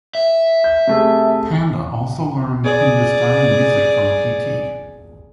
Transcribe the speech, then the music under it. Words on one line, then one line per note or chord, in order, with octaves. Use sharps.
Panda also learned Hindustani music from Pt.
E5
G6
C3 A3 G#4
G#4 D5